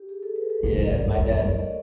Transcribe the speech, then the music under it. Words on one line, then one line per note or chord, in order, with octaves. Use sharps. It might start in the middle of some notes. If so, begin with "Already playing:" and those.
Yeah, my dad's
Already playing: G4
G#4
A4
B4
A4
A#2 A#4
A2
D5
G#2
C#5
G2
F2 C#5
F2
D5
F#2
D#5